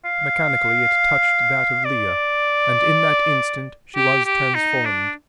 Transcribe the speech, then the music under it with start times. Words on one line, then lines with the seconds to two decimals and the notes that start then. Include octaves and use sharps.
Mechanically it touched that of Lilla, and in that instant she was transformed.
0.05 F5
1.85 D5
3.96 G4
4.25 G4
4.55 D#4
4.85 D4